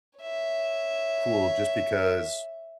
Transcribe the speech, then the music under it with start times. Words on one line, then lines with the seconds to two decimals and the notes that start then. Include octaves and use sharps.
cool just because
0.19 C#5 E5